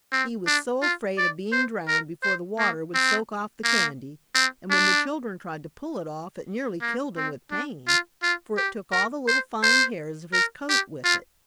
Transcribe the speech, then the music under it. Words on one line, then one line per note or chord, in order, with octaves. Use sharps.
He was so afraid of being drowned before the water would soak off the candy and when the children tried to pull it off it nearly killed him with pain, for it took all the little fine hairs of his coat with it.
C4
D4
F4
D5
C5
A#4
C5
A#3
C4
A#3
C4
D4
A#3
C4
D4
F4
F4
G4
A#4
C5
C5
A#4
G4
F4